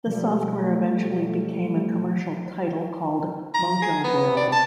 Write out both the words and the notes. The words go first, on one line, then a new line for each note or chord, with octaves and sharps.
The software eventually became a commercial title called MojoWorld.
B2 F3 G3 A3
A#5
G#4
B3
D5
A5